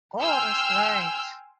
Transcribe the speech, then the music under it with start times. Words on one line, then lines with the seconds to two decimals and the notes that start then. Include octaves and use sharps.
God is Light.
0.23 G5 G#5 C6 E6 F6 G6